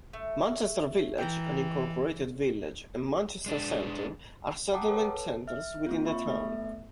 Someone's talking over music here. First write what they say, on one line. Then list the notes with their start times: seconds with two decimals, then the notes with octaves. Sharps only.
Manchester Village, an incorporated village, and Manchester Center are settlement centers within the town.
0.13 A3
1.18 E3 G5 A#5
3.46 G#3 D4
4.73 F#5 G5 A5 A#5 D6 D#6
4.88 A4 B4 C#5 A5
5.47 E5 F6
5.86 A#3 C4 F4
6.05 E5 B5 C#6
6.26 A3 B3 A4 E5